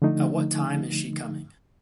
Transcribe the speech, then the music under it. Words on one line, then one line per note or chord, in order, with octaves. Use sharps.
At what time is she coming?
D3 F3 A3 D#4